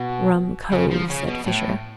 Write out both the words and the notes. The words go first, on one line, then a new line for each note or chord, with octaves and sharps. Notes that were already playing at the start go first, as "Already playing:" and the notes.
"Rum cove," said Fisher.
Already playing: B2
C#3
F3
C#3
B2
A2